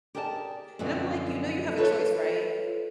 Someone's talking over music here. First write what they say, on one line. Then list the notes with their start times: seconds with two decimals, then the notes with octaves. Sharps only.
and I'm, like, "You know you have a choice, right?
0.15 G4 G#4 A#4 D5 F#5 A5
0.79 F#2 B2 D3 F3 C4
1.77 F4 A4 B4 C#5 F5